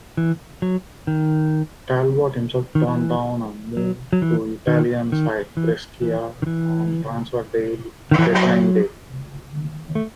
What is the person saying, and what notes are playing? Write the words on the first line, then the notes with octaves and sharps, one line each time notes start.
Talbot himself turned down a move to Italian side Brescia on transfer deadline day.
E3
F#3
D#3
D#3
E3
F#3
F#3
E3
D#3
D#3
E3
E3
D#3
E3
D#3
E3
F#3
A3